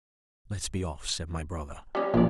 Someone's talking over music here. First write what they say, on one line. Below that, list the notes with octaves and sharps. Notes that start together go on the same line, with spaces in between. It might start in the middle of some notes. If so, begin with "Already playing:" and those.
Let us be off,' said my brother.
G3 C#4
A#1 F4 D5